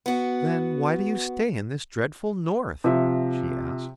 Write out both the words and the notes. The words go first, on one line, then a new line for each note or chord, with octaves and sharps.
"Then why do you stay in this dreadful North?" she asked.
B3 F#4
C3 F3 E5